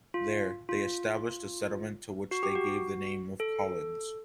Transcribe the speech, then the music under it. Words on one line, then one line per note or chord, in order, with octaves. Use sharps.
There, they established a settlement to which they gave the name of Collins.
F4
F4
F#4
G4
F#4
A4